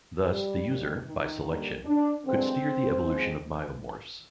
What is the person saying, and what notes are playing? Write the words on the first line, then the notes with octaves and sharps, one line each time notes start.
Thus, the user, by selection, could steer the evolution of biomorphs.
G3 G4
D#2 D#3 G3 A#3
D#3 D#4
D#2 D3 G3 A#3
D4
G2 D3 F3 G#3 C4
G#2 F3 G#3